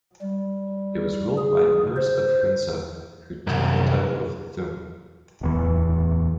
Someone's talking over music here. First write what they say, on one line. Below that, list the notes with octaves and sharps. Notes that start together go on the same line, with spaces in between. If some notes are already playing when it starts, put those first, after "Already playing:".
It was ruled by the Mirs of Hunza, who took the title of Thum.
G3
G#4
C5
C2 F#2
D1 E2 E3